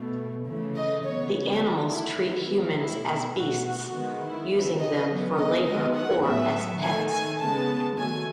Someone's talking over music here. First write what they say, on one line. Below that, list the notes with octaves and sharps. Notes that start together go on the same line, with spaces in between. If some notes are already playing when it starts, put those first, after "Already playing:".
The animals treat humans as beasts, using them for labor or as pets.
Already playing: B2 A3
C#3 E3 A3
D#5
C#3 F#3 B3 C#5
D#3 A3
E4
D#3 F#3 B3
B2 A3 E4
B2 A3 F#4
F#4
D#3 G#3 B3
E4
C#3 E3 B3
D#5
C#3 F#3 B3
D#5
D#3 G#3 B3 D#5
F#5
A2 F#3 B3 E5
D#3 A3 G#5
G#5
C#3 G#3 B3 A5
D#3 F#3 A3 G#5